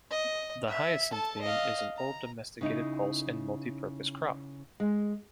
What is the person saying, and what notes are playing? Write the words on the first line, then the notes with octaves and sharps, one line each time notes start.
The hyacinth bean is an old domesticated pulse and multi-purpose crop.
D#5
E5
A4 A5
D#5 F5
A#5
C#3 D#4 E4
G#3